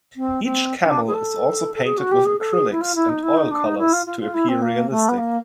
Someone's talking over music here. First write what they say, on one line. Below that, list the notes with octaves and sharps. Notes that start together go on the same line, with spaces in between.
Each camel is also painted with acrylics and oil colors to appear realistic.
C4
C4
D4
G#4
A4
A4
G#4
F#4
G4
G#4
A4
G#4
E4
F4
E4
D#4
E4
D#4
D4
D#4
E4
F4
F4
F4
E4
C4
A#3
A3
B3
A#3